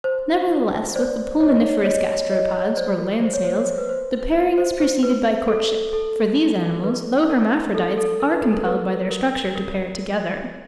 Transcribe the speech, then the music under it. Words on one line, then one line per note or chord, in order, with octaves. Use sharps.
Nevertheless with the pulmoniferous gasteropods, or land-snails, the pairing is preceded by courtship; for these animals, though hermaphrodites, are compelled by their structure to pair together.
C5
C5 D5
C#5 D#5
C#5 D#5
C#5 D#5
C5 D5
A#4
C5
C#5
C5
C5
B4
C5
C5
C5
B4
A4
A4
B4
A#4
A4
A4
A#4
B4
A4
A#4
B4
A#4
A#4